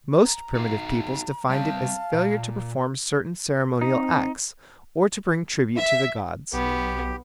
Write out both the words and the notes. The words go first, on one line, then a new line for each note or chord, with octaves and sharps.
Most primitive peoples defined it as failure to perform certain ceremonial acts, or to bring tribute to the gods.
A#5
D#4 F#4 F5
G3 C4 F5 A5
A#2
C4 D#4
E5
B1 B3 G4